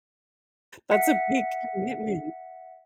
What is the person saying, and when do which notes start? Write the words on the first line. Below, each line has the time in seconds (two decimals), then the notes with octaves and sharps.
That's a big commitment.
0.92 E5 F#5 B6 C#7